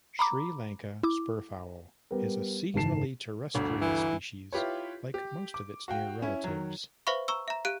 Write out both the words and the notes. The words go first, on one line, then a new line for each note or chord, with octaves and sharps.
Sri Lanka spurfowl is a seasonally terrestrial species, like most of its near relatives.
A#5 B5 D6
E4 D6
G3 B3 G4 A#4
F#1 G#2 D#3 A5 C7 E7
G1 D2
E3
E4 F4 G4 B4 C#5
G4
D6
F#4 F5 G5
C#4 E4
D#3 F#3
B4 C5 E5 F5 B5 C#6
A#5 C#6 E6
E5 A#5
G4 F5 F#6 D7